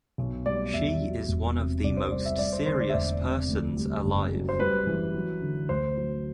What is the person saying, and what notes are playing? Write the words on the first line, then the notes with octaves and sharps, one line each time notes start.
She is one of the most serious persons alive.
B1
G3 D5
E2 E5
F#3
E1
C3
C2 D5
C5
G3 D5
E5
G3 D5
C5
D3 C5
D5
E5
E1 D5
C3
D2
G3
F#1
F#3
C5
G3 B4
E3
F#3
D3
D2 C5
F#3